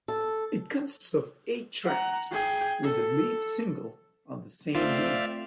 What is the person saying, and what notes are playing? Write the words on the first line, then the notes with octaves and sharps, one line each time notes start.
It consists of eight tracks with the lead single of the same name.
A4
F#5 A#5
G#4 G5
A4
A3 C4 F4 C5 D5 E5 F5